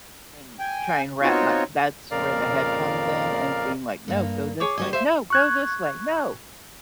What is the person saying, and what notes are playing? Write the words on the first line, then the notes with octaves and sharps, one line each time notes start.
And try and wrap my that's where the head comes in and being like, "No, go this way. No, go this way. No."
G5 G#5
B3 C4 D#4 F4 F#4 C#5
F2 A#2 C#3 A#4 D5 F5
G2 A#3
G#4 C#5 D6
G3 F#4 D#5 G#5
C5 E5 F5
C#6 F#6 G#6